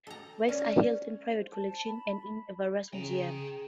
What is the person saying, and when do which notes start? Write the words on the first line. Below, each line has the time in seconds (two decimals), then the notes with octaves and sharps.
Works are held in private collections and in various museums.
0.07 A4 A#5
0.49 C#4 D5
1.36 C5
1.53 A5
1.85 B5
2.93 C#3 G#4 G5 A#5